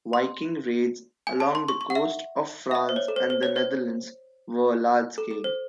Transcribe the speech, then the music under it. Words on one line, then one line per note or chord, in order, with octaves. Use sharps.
Viking raids along the coast of France and the Netherlands were large-scale.
C6
G#5
A5
C6
C#6
C#6
F#5
E5
E5
D#5
C5
C#5
A4
C5
C5
C#5
C5
A4
A4
C5